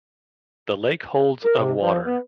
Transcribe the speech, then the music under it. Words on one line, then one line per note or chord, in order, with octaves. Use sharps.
The lake holds of water.
A#4
C3
F3
B3